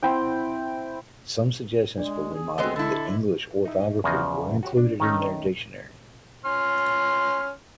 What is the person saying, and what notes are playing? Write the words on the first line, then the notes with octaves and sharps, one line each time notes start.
Some suggestions for remodeling the English orthography were included in their dictionary.
C4 E4 G5
G#3 D4 D5
G#4
G#3 B3 C4 G#4 D#5 E6 G7
D3 E4 A4
D#4 E4
E2 C#3 F3 F#4 G#4 D#5
F#4 G4 C#5
D4
D#3 A3 C#4 D#4 D#5
C#4 C6 F6